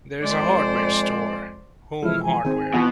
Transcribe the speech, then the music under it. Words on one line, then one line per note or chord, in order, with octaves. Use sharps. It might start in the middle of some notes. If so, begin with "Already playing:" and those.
There is a hardware store: Home Hardware.
F2 G#3 C5 D5
E3 F3 G#3 E4 A4 F6
G#5
D#3 C4 G#4
B2 E3 F4